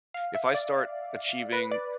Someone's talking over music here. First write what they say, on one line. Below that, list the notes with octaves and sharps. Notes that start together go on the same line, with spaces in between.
if I start achieving
F5
E5
D5
B4
D5